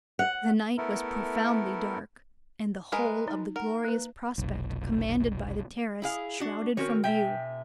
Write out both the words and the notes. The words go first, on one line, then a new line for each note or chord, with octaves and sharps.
The night was profoundly dark, and the whole of the glorious prospect commanded by the terrace shrouded from view.
F#5
A3 B3 E4 A4 A#4
G#3 A#4 B4
D#4
A#4 F#5
A#3 B4
F1 B1
E4 G#4 F5
D4 F#4
D#3 C4 C#4 F#4 A#4 C#5
B2 E5 G5 G#5